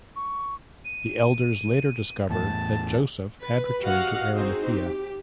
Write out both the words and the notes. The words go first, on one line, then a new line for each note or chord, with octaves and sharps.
The elders later discover that Joseph had returned to Arimathea.
C#6
D#7
E2 A2 A5
B4
F#4 G4 D#5 F5 F#5
C4 D#4 F#4 G#4 C5
G4